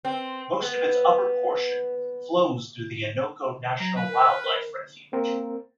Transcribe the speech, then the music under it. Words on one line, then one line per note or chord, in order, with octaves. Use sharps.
Most of its upper portion flows through the Innoko National Wildlife Refuge.
C4
B3
F#3 A#5
B4
A#4
F6
A#4
A#3 C4 A#4